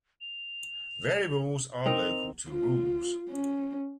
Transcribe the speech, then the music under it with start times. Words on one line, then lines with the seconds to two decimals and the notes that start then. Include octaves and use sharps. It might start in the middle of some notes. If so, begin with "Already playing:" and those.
Variables are local to rules.
0.21 F7
1.86 C4 D#4 A#4 F7
2.49 F4
3.30 C#4